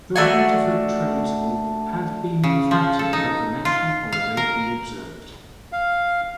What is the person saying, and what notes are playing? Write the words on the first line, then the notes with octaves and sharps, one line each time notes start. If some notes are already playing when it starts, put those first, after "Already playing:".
The Waterford Trades Hall had been emphatic that the National Holiday be observed.
A3 D4 F#4 G#5
C#3
F3
A4
D#4
F4
F5
A#4
F5